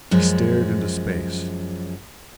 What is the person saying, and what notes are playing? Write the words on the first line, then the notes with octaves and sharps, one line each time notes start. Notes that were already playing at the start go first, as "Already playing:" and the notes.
He stared into space.
F#2 F3 G#3